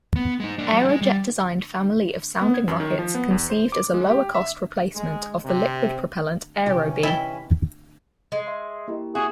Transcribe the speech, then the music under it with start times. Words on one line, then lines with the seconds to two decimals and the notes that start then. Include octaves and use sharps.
Aerojet-designed family of sounding rockets conceived as a lower-cost replacement of the liquid-propellant Aerobee.
0.16 B3
0.40 G#3 D#4
0.58 A#3 D4
0.73 F#3 G#3
0.89 G#3
1.02 G3
2.41 B3
2.54 G#6
2.68 F#2
2.80 D#3
2.99 F3
3.15 B3
3.31 E2
3.50 C5
3.72 D6
3.94 G#3
4.10 G4
4.35 E5
4.95 G#3
5.44 C3
6.66 C3 E3 C#4 D#4 G4
7.03 E4 D#5 G5 G7
8.32 G#3
8.47 E5 C6
8.88 A#3 E4 G4
9.15 C4 F#4 G#4 E5